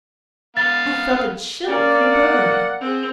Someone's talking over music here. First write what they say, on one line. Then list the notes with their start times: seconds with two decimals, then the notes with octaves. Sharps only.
I felt a chill creep over me.
0.57 B3 F5 A6
1.68 A#3 C#4 D5
2.11 F#5
2.81 C4 G#4